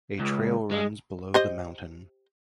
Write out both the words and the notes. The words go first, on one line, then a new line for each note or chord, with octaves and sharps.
A trail runs below the mountain.
C#2
G#3
G4 C5 D#5